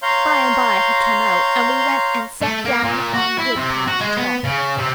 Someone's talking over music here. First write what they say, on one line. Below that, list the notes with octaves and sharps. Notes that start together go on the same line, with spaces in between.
By and by he come out, and we went and set down on the woodpile to talk.
C#5 F5 A#5 C6 G6
A3
A#3
A#2
F#4
E4
C3
F#4
G#3
B3
C#3
C3